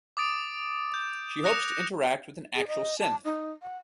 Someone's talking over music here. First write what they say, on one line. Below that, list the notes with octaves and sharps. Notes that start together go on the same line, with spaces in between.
She hopes to interact with an actual synth.
D6 D#6 A6 D7
G6
D#6 F#6 A#6 C#7 E7 F7
G#4
D#5
A5
D#4
F#5